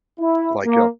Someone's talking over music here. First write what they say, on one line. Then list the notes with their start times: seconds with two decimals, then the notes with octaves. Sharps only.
Like, uh
0.20 E4
0.65 A#3